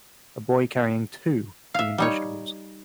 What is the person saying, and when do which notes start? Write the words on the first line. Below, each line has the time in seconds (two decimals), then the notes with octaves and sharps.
A boy carrying two green vegetables.
1.74 E5 F5
1.98 G3 D#4 C#5